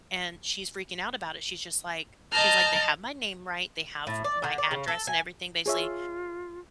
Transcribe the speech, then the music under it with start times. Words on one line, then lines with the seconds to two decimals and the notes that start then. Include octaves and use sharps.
and she's freaking out about it. She's just like she's like, "They have my name right. They have my address and everything basically,
2.31 D#5 A5 A#5 F6 G6
4.07 A2
4.24 D5
4.44 D3
4.58 D5
4.71 C#3
4.88 A4
5.07 G#5
5.66 F4 G#4 C#5 E5